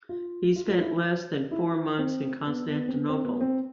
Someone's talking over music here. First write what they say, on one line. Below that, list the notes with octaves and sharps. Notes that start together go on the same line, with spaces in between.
He spent less than four months in Constantinople.
F4
F4
F4
E4
E4
C4
B3
B3
C4
B3
C4
B3
C4